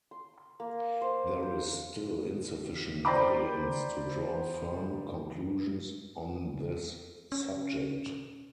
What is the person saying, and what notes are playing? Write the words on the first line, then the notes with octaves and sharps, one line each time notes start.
There is still insufficient evidence to draw firm conclusions on this subject.
C6
A#3
C5
C5
C5 D5 G5 A#5 B5 D6
C#4